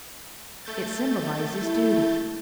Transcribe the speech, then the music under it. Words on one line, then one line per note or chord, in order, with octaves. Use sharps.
It symbolizes duty.
A3 G6 A6
E4